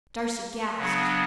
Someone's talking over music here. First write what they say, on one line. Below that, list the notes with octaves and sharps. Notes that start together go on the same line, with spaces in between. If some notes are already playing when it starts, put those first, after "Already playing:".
Darcy gasped.
C#3 F#3 B3 D4